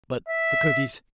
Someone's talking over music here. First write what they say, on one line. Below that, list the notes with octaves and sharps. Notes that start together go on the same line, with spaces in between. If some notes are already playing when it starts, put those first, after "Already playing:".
But the cookies!
E5